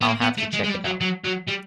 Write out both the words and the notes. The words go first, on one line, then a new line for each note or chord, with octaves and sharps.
I’ll have to check it out.
B3
A#3
B3
A3
G#3
G#3
G3
F#3
F#3
F#3
G3